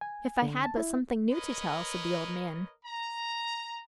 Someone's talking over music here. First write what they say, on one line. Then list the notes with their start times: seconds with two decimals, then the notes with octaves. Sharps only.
"If I had but something new to tell," said the old man.
0.01 G#5
0.42 D3
0.65 A5
0.77 E4
1.32 A#4 B4 C#5 D#5
2.85 A#5